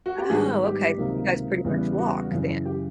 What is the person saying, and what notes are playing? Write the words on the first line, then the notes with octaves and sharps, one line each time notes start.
Oh, okay, 'cause you guys pretty much walk then.
F#4
G4
G#2 D#3 G3 B3 F#4 G#4
G4
C#2 C3 D#3 F#3 A#3
E2 C#3 E3 G3 B3
F#4
F#2 C#3 E3
G4